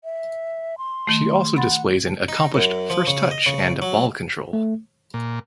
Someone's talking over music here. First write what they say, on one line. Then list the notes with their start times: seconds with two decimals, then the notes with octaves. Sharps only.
She also displays an accomplished first touch and ball control.
0.04 E5
0.78 C6
1.07 D#3 A3
1.56 F#5 B5 C6 A6
2.28 D#4
2.54 F#2
2.90 F3
3.07 C#3
3.31 D#5
3.46 C#3
3.82 F#3
4.53 A3
5.14 A#2